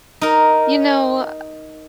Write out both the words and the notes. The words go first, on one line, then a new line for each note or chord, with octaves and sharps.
You know, uh,
D#4 A#4